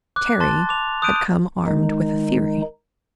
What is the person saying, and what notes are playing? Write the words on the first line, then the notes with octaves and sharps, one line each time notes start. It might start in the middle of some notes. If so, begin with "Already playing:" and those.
Terry had come armed with a theory.
D6 F#6
A5 C6 A6
D6 F7
D#6 F#6 G6 D7 D#7
D#3 G#3 D#4